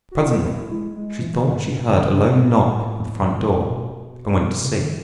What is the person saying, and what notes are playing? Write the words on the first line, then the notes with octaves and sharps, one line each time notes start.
Presently she thought she heard a low knock at the front door, and went to see.
F#4
E4
G#3
G#3
E3
B2
G#2
A2
C#3
D#3
C#3
A2
G#2
A2
B2
C#3
D#3